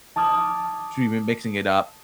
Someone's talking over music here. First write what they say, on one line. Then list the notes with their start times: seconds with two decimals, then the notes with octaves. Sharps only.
so we've been mixing it up,
0.16 A5 D6 D#6 F6 G#6